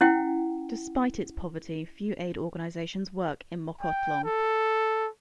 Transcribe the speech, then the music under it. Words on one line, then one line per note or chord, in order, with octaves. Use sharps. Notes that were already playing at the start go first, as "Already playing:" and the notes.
Despite its poverty, few aid organizations work in Mokhotlong.
C#4 E4 F#5 G5
G5
A4